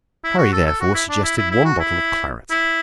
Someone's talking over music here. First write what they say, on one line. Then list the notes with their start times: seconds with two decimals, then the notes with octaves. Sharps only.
Harry therefore suggested one bottle of claret.
0.24 E4
0.38 F#4
0.52 A4
0.66 A4
0.81 F#4
0.94 E4
1.09 D4
1.23 E4
1.37 E4
1.51 E4
1.65 F#4
1.79 E4
2.50 E4